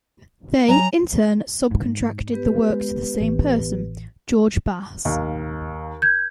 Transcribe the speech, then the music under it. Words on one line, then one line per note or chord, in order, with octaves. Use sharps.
They in turn sub-contracted the work to the same person, George Bass.
F#3 G#5 A#5
G#2
B3 G4 B4
G#3
A1 E3
D#2 D#4 F5
G6 G#6